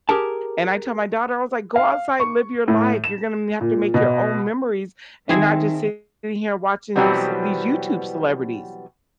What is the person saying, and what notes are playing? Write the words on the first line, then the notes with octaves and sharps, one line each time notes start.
And I tell my daughter, I was like, "Go outside, live your life, you're gonna have to make your own memories and not just sitting here watching these ce these YouTube celebrities."
G4 G#4 A#4 A5
F5
C#6
A2
E7
A#2
B2
D#3 C4 D#4 E4 G#4
B2 E3 F#3 G3 B3 C4